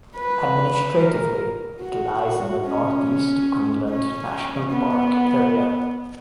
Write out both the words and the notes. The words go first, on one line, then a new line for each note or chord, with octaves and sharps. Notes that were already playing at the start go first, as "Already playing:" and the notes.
Administratively it lies in the Northeast Greenland National Park area.
B4
A#4
F#4
C#4
C#4
B3